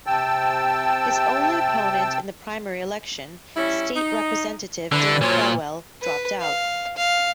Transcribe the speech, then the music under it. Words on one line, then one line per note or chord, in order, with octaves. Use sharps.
His only opponent in the primary election, State Representative Dale Folwell, dropped out.
C3 G5 A5 E6
G3 C#4 E4
D#4
D3 E3 D4
A#2 F3 F#3 C#5
B4
F5
F5